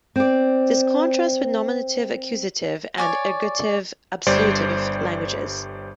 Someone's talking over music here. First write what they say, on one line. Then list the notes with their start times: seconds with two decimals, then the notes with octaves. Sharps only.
This contrasts with nominative-accusative and ergative-absolutive languages.
0.16 C4 D5
2.98 C#5 D5 G#5
4.27 G1 G3 C5 D5